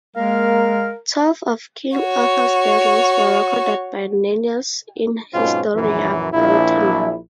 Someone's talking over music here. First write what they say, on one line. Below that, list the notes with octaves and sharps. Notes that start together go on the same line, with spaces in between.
Twelve of King Arthur's battles were recorded by Nennius in "Historia Brittonum".
G#3 A#3 A#4 F5
F#4 C#5
B1 G#2 B2 C4 C#4 F4
A#1 F#2 E3
A#1 E4